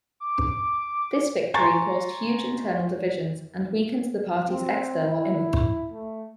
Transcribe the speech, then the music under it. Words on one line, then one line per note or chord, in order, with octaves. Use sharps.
This victory caused huge internal divisions and weakened the party's external image.
D6
G#5 A#5 C6 C#6 A6
C4
E4
A3